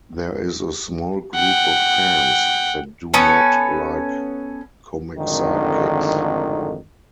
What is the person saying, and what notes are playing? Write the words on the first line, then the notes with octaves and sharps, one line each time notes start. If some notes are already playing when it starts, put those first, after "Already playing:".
There is a small group of fans that do not like comic sidekicks.
F#5 G5
B3 C#4 A4
G#1 F2 A2 D3 D#3